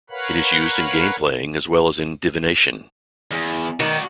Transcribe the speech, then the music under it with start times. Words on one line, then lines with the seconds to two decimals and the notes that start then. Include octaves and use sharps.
It is used in game playing as well as in divination.
0.10 A#4 B4 C#5 F5 F#5 B5
3.31 E2
3.80 D#3 F#4 D5